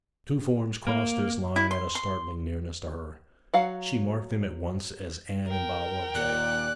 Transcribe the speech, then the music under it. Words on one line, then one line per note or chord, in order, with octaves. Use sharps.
Two forms crossed this line at a startling nearness to her; she marked them at once as Anne and Bob Loveday.
A#3
E4
C6
C6
F#3 F5 F#5
A#4 G5
D#2 A#2 D5 F#6